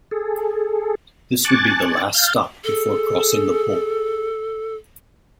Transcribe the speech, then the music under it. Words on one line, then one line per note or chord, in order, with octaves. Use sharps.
This would be the last stop before crossing the pole.
G#4 A4
G#5 A5 C#6 D6 F#6 A6
F5 F6 G6 A6
G#4 A4